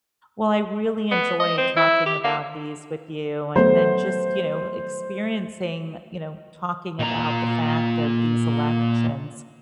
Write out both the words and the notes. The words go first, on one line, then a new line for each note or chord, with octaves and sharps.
Well, I really enjoy talking about these with you, and then just, you know, experiencing, you know, talking about the fact of these elections,
B3
D#5
C4
E4
G4
A#3
F#3 A3 B3 C5
A#2 A#5